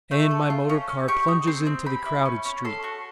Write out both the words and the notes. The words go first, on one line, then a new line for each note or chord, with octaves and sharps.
And my motor car plunges into the crowded streets.
A3
A4
F4
C#4
C#4
G4 C#6
D#4
C4 C6
C4
G4 B5
E4
C#4
C#4
A4 C6
F#4 C#6